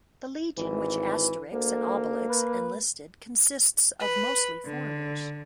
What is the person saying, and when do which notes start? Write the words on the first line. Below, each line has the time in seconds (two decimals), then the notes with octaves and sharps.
The legion which Asterix and Obelix enlisted consists of mostly foreigners.
0.57 G#1 E3
1.53 D2 A#3
2.29 B4
4.01 B4
4.65 D3